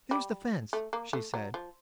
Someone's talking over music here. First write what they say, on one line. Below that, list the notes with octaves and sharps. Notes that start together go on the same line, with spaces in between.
"There's the fence," she said.
G3
A3
A#3
A3
F#3
F3